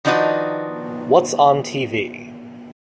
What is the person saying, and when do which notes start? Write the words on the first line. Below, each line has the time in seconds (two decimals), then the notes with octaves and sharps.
What’s on T V?
0.05 D#3 F3 D4 D#4 F#4 B4